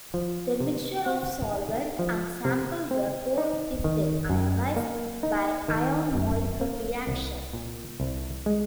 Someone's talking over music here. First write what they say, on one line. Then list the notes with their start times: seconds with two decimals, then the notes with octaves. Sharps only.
The mixture of solvent and sample vapor is then ionized by ion-molecule reaction.
0.14 F3
0.60 C3
1.06 C4
1.52 D#4
1.99 F3
2.45 C3
2.91 C4
3.38 D#4
3.84 D#3
4.30 F#2
4.76 A#3
5.23 D#4
5.68 D#3
6.15 F#2
6.61 A#3
7.07 C2
7.53 A#2
8.00 C2
8.46 G#3